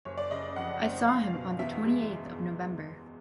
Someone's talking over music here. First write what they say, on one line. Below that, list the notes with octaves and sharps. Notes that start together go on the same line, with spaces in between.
I saw him on the twenty eighth of November.
F#1 C#5
D5
C#3 D#5
F2 F#5
F#1
F#1 F5
B2
E2 E5
G#3